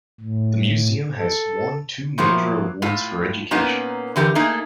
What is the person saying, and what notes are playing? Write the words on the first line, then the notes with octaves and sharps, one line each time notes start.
The museum has won two major awards for education.
A2
A4
A2 F3 F#3 A#3
A2 F4
A#2 A#3 B3 C#4 D#4
D3 E3 G4 A#4
A3 A#3 D#4 G#4